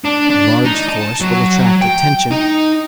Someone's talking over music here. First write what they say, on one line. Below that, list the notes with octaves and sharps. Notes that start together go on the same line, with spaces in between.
A large force will attract attention.
D4
D4
D#4
A5
F#3
G5
D#4